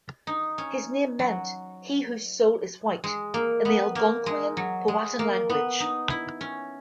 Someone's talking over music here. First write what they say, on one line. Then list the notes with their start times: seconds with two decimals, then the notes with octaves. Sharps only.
His name meant "He whose Soul is White" in the Algonquian Powhatan language.
0.27 D#4
0.58 C#4
1.19 F#3
3.04 G#3
3.34 A#3
3.65 B3
3.95 A#3
4.26 G#3
4.57 F#3
4.88 G#3
5.19 A#3
5.50 B3
5.80 D#4
6.10 E4
6.41 C#4